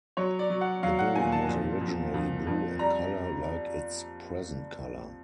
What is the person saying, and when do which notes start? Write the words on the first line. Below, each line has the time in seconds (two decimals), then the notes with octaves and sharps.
The building was originally blue in color like its present color.
0.17 F#3 C#5
0.39 D5
0.50 F#3
0.61 F#5
0.83 F#3 F5
0.99 F#5
1.15 A#2 G#5
1.32 A5
1.48 F2
1.81 F2
2.14 F2
2.47 F2
2.79 G3 A#5